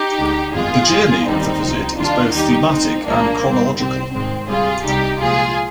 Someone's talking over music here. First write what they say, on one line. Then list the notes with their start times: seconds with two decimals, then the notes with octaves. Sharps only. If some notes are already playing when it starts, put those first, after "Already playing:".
The journey of the visit is both thematic and chronological.
Already playing: D#4 G4
0.18 D2 D3 G#3
0.54 G1 F2 D#3 G#3 F4 G#4
0.89 G2 F3 G#3
1.25 D#2 D#3 G3 C4 D#4
1.62 C2 C3 F3
1.98 D#2 D#3 G3 D4 F4
2.33 D#2 D#3 G3 D#4 G4
2.69 A#1 A#2 G#3 C4 D#4
3.05 C2 A#2 F3 G#3 A#3 D4
3.41 G#1 G2 D#3 C4
3.77 C2 C3 G3 C4
4.13 G#1 G#2 D#3 G#3 C4
4.48 D2 C3 G3 F4 G#4
4.84 C2 C3 G3 D#4 G4
5.20 C2 A#2 F3 G#3 F4 G#4